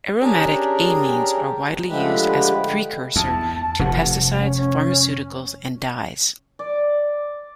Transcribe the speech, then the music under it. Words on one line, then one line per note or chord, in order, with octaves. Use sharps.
Aromatic amines are widely used as precursor to pesticides, pharmaceuticals, and dyes.
C#4 D4 G4 G#4 A#4
D3 F3 G#3 A3 G4 B4
E2 A5
F1 C3 F#5
C#4
C#4
D5